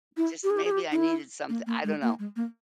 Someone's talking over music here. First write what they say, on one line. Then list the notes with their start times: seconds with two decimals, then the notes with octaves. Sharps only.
just, maybe I needed something I don't know.
0.17 E4
0.44 G4
0.50 G#4
0.57 G4
0.64 G#4
0.71 G4
0.92 D#4
0.96 E4
1.49 A#3
1.67 A#3
1.84 G#3
2.02 A#3
2.19 G#3
2.36 A#3